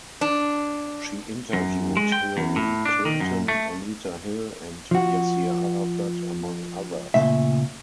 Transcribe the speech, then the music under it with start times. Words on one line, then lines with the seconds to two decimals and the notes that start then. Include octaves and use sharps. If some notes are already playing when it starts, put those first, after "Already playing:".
She interviewed Hillary Clinton, Anita Hill and Yasser Arafat, among others.
0.21 D4
1.53 F#2
1.97 G#3
2.12 G5
2.37 E2
2.56 A2
2.85 D4
3.05 D#3
3.20 F#2
3.48 A3
4.91 F3 F#4
7.14 A#2 C#3 A3 E5